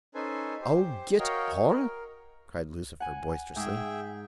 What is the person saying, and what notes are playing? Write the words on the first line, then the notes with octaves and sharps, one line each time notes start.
"Oh! get on," cried Lucifer, boisterously.
C#4 D#4 A4 B4 C5 G#5
G4 C5
F#4 A#4 C#5 D#5 F5 G5
A#4
F#5 G#5
G#2 G#4 E5 G5